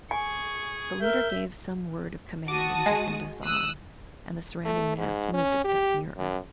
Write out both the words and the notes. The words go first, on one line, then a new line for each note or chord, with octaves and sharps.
The leader gave some word of command and beckoned us on, and the surrounding mass moved a step nearer.
G#4 G#5 C#6
A#4 E5 G6
F#4 A5 D6 D#6
G#3
D#6 E6 F#6
A3
G#2
C#4
G4
F#2